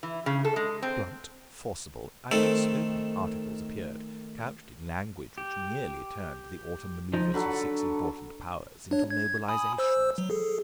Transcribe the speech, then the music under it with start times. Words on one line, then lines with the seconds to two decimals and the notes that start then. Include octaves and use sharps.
Blunt, forcible, outspoken articles appeared, couched in language which nearly turned the autumn manœuvres of six important Powers into mobilisations.
0.03 E3
0.26 C#3
0.45 A4
0.56 G#3
0.83 C4
2.32 D#3 A3 C4 A4
5.38 G4
7.13 F3 D#4
7.34 D3 F#3 A4 B5
8.91 D4 C#5
9.10 G#6
9.48 G#5 B5 D#6
9.78 C5 E6
10.18 F#3
10.30 G#4 A4